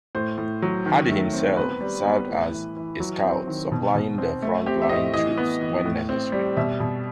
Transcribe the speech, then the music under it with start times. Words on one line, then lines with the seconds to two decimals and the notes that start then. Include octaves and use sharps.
Hardy himself served as a scout, supplying the front line troops when necessary.
0.15 A2 C5
0.38 A2
0.62 F#3
0.86 D#3
1.09 A3
1.34 C4
1.57 B3 B4
1.81 G3
2.05 B3
2.29 A2
2.52 E3
2.76 E3
3.00 F#3
3.24 C4
3.47 D#3
3.72 B2
3.95 B2
4.18 C4
4.42 A3
4.66 C4 G4
4.82 E5
4.89 A2 D#5
5.14 E3 D#5
5.38 B3
5.61 E3
5.85 A2
6.09 C4
6.32 G3
6.57 B2 E5
6.80 B2